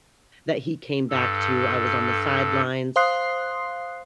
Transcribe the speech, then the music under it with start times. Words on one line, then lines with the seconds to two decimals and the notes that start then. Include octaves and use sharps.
that he came back to- I was on the sidelines-
1.10 G2 A4
2.96 C5 F5 C6 D#6 F#6 C7